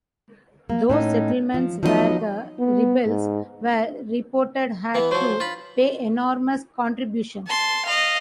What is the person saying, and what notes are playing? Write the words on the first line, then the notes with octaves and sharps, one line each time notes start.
Those settlements where the rebels were reported had to pay enormous contributions.
A#3
A2 C#4 D#4
F3
F3 F#3 B3 D#4 G#4 D#5
B3
G#2
E3 B3
F3 F#3 C5
F4 B5
A5 C6
D#5 F5